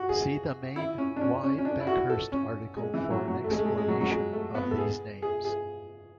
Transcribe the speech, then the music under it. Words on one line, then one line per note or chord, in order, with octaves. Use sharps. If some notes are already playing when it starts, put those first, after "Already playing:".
See the main Y. Bhekhirst article for an explanation of these names.
Already playing: F#4
G#4
E4
C#4
D4
C#4
C#4
C#4
D4
E4
F#4
A4
C#4
G#3
E3
F#3
F#3
A3
G#3
A3
G#3
G#3
F#3
F#3
G#3
A3
B3
A4
G#4
G#4
G#4